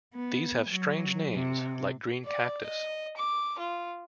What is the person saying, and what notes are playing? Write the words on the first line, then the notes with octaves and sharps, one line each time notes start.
These have strange names like Green Cactus.
B3
F#3
C3
D5
D#5
D6
F4